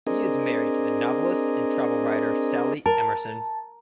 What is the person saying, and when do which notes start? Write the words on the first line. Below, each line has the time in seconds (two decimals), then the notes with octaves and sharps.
He is married to the novelist and travel writer Sally Emerson.
0.07 C4 D4 G#4 A#4 D#5
2.86 A#4 A5